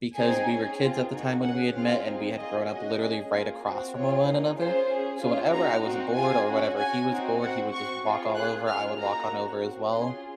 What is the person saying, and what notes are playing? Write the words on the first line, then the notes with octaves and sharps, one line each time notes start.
because we were kids at the time when we had met, and we had grown up literally right across from a one another. So, whenever I was bored, or whatever he was bored, he would just walk all over, I would walk on over as well,
C4 D#4 G#4 G#5
C#4 G#4
C4 F4 G#4
A#3 D#4 F#4
C#4 G#4 F#5
C4 F4 G#4 F5
C4 D#4 G#4
A#3 F4 G#4 D#5
C#4 F#4 D#5
C#4 G#4
A#3 F4 G#4
C4 F#4
C4 F4 G#4 C#5
A#3 D#4 G#4
C#4 F4 G#4 C5
C#4 G#4
C#4 F4 G#4
A#3 D#4 F#4 A#5
C4 D#4 F#4
C4 F4 G#4 G#5
C#4 F#4
C#4 F#4 G#5
C4 D#4 F#4
C4 F#4 F#5
C4 F#4 C#6
C4 F4 G#4
A#3 F4 G#4 F#6
C#4 F4 G#4 F6
A#3 D#4 F#4 A#5
C#4 F#4
C4 F#4
C#4 F4 G#4 C6